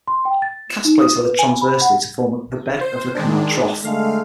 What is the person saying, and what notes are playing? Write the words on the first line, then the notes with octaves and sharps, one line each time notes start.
Cast plates are laid transversely to form the bed of the canal trough.
C6
G5
A6
E7
D#4
D#6
B4
G#5
B5
F#5
C5
D#3 G#3 D4
D3 G#3 A3 F5